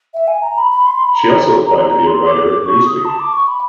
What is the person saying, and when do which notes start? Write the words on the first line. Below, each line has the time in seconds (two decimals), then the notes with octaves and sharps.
She also applied to be a writer at Newsweek.
0.13 E5
0.27 G#5
0.42 A#5
0.57 B5
0.71 B5
0.86 C6
1.00 B5
1.14 A#5
1.88 A#5
2.06 C6
2.27 D6
2.45 D6
2.65 C#6
2.85 D#6
3.05 A5
3.19 D6
3.32 C#6
3.47 B5